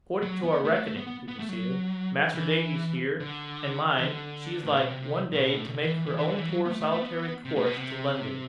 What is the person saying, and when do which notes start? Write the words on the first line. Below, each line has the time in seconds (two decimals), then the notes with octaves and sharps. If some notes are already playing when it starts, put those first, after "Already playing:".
'According to our reckoning,' he proceeded, 'Mas'r Davy's here, and mine, she is like, one day, to make her own poor solitary course to London.
0.22 F#3
0.43 B3
0.64 A3
0.75 A3
0.85 A3
0.97 B3
1.07 B3
1.28 B3
1.39 A3
1.49 F#3
2.35 E3
3.20 D3
3.98 E3
4.04 D3
4.64 A2
4.76 B2
4.90 C3
5.32 B2
5.56 A2
5.66 B2
5.74 C3
5.81 D3
5.85 E3
5.96 E3
6.06 E3
6.17 E3
6.28 D3
6.38 E3
6.49 F#3
6.65 B3
6.70 A3
6.81 A3
6.92 A3
7.02 B3
7.45 C3
7.56 A2
7.66 B2
7.77 C3